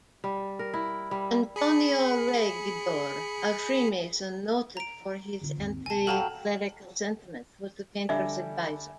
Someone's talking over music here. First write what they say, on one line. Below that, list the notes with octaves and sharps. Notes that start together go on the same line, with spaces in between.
Antonio Regidor, a Freemason noted for his anticlerical sentiments, was the painter's adviser.
G3
A#4
E4
G3
G#4 B5 C#7
A#5 D7
D3 F4
G#1 D#2
B1 F#2 G#5 A5
F#3 A4 F5 G5 A5 A#5
D3 G3 A4 D5 E5 G#5